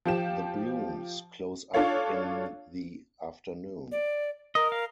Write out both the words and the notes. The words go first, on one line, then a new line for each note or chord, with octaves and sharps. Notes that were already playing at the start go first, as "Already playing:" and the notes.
The blooms close up in the afternoon.
F3 G4 E7
D4 F4 A4 C#5 F5
D5
A#4 D#5
F5